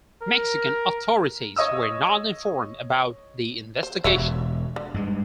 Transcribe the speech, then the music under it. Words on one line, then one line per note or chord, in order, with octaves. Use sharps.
Mexican authorities were not informed about the investigation.
A#4
C#5 D#5 D#6 E6
C5
E1 F#4 C#5 E5
D3
G2 G#3